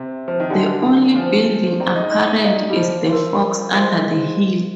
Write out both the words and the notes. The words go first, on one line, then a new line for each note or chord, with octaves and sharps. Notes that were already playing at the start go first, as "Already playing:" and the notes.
The only building apparent is the "Fox under the Hill".
Already playing: C3
F3
D#3
D3 G4 D5 G#5 C6
F3 C5 F5 G#5 C6
C4 G#4 D5 G5 A#5
D#4
D#4
D#4
D#4 G4 D5 F5 A#5
G3
F3
A#4 F5 C6
G#3 F4 C5 F5 C6